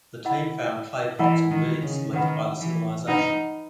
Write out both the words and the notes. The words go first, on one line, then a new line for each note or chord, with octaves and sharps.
The team found clay pots and beads left by the civilization.
E4 A#4 D#5 F#5 B5
E3 E4 A#4 D#5 F#5 B5
D#3
C#3
D#3 B4 F#5 B5
E3
D#4 B4 F#5 B5